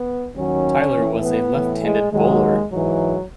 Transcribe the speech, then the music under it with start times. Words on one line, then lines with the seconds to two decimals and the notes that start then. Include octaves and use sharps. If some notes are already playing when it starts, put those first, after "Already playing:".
Tyler was a left-handed bowler.
Already playing: B3
0.35 D#2 D#3 F#3 C#4
0.94 A2 E3
1.23 B3
1.52 A2 E3
1.82 G#3
2.11 D#2 D#3 F#3 G#3
2.70 G#2 E3 F#3